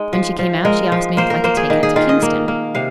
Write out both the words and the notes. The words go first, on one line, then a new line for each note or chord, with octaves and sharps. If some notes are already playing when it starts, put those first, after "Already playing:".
When she came out she asked me if I could take her to Kingston.
Already playing: G#3 D#4
F3
F3
G#3 A#4
F3
A#3 C5
A#4
A#3 C5
G#4
D#3
G#4
D#3 F4
D#5
A#3
A#3
C3 F5